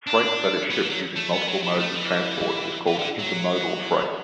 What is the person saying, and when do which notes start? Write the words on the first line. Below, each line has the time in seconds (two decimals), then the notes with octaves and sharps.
Freight that is shipped using multiple modes of transport is called intermodal freight.
0.07 D4
0.70 B3
0.80 E3
0.90 F#3
1.16 A3
1.32 B3
1.47 F#3
1.63 E3
1.79 A3
1.94 E3
2.87 E3
2.99 D3
3.19 F#3